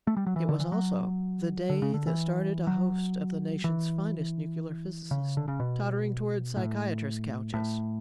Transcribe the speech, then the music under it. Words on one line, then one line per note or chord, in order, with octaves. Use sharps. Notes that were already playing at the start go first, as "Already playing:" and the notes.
It was also the day that started a host of the nation's finest nuclear physicists tottering towards psychiatrists' couches.
A3
G3
F#3
E3
D3
E3
F#3
D3
C#3
D3
E3
F#3
E3
C#3
D3
C#3
B2
A2
A2